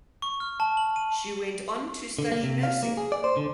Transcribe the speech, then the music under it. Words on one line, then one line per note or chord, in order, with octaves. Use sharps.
She went on to study nursing.
C#6
F6
A5
F#7
D#7
D3
A#3
C3
F5
A#3
G#4
D5
C5
D3